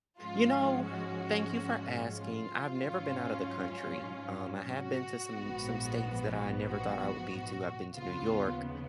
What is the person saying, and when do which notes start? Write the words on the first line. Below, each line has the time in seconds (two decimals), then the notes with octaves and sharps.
You know, thank you for asking. I've never been out of the country. Um, I have been to some some states that I never thought I would be to, I've been to New York,
0.19 G#2 F3 G#3 C#4 F4
0.84 F#4
2.13 F4
2.78 G#2 F#3 C#4
4.72 F#4
5.36 A#1 G#2 F3 B3
6.65 F#4
7.94 D#2 C#3 F3 B3 F4